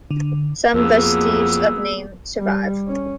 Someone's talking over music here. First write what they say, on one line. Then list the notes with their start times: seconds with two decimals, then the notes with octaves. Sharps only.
Some vestiges of the name survive.
0.11 D3
0.74 F2 F#3 A#3 B3 G#4 E6
2.38 G3
2.86 C#4